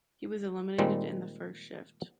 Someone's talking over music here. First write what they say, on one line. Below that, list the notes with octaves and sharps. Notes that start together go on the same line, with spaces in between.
He was eliminated in the first shift.
A#2 D#3 G3 G#3 C4